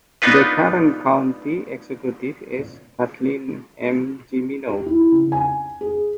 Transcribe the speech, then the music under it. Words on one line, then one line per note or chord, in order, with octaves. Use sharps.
The current county executive is Kathleen M. Jimino.
B3 D4 D#4 F4 B4
G4
E4
C#3
G#5
G#4